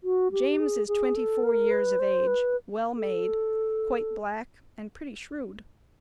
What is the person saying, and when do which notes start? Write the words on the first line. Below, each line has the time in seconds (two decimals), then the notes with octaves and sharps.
James is twenty-four years of age, well made, quite black and pretty shrewd.
0.04 F#4
0.32 G4
0.60 G#4
0.88 G#4
1.16 A4
1.44 A#4
1.71 B4
1.99 C5
2.27 B4
2.97 A4